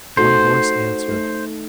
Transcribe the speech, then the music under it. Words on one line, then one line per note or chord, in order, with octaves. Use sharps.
One voice answered.
A3 D#4 F#4 A4 C5
A3 D#4 A4